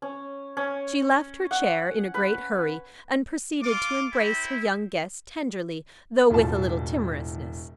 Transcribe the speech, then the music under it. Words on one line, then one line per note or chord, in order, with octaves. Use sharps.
She left her chair in a great hurry, and proceeded to embrace her young guest tenderly, though with a little timorousness.
C#4
C#4
F#5
B4
F4 D6
C4 E4
E1 A2 F4 A4 A5